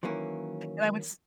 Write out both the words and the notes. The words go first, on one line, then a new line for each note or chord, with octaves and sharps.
And I would s
D#3 E3 F#3 A#3 C#4